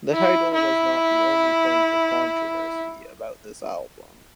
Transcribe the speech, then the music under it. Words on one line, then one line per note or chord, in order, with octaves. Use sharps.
The title was not the only point of controversy about this album.
E4
E4